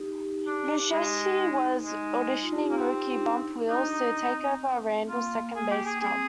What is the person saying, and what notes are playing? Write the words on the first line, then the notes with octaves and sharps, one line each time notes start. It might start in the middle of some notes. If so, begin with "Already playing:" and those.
Lucchesi was auditioning rookie Bump Wills to take over Randle's second base job.
Already playing: D#4 G4
D4
G#3
D#4
G#3
D#4
F4
D#4 G4
A#3 D#4 G4
C4
D4
D#4
D4 D#4
C4
A#3 F4
G#4
G4
G#4
C4 G#4